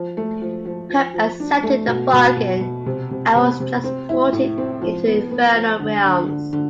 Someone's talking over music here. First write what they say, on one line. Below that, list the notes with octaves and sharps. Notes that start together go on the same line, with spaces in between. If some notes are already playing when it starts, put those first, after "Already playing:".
Hope accepted the bargain and was transported into the infernal realms.
Already playing: F3
A3
F3
F3
F3
F3
D4
A3
B2
B2
B2
B2
C3
C3
C3
C3
C4
E4
A2
C4
F3
B3
B3
F3
D3
D3
D3
D3